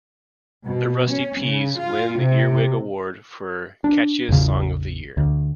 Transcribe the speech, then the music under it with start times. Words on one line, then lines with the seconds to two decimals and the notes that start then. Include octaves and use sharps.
The Rusty Ps win the "Earwig Award" for catchiest song of the year.
0.65 B2
1.10 C#4
1.42 C#3
1.78 F4
2.19 C3
3.84 D4
4.29 A1 E2 C#3
5.17 D2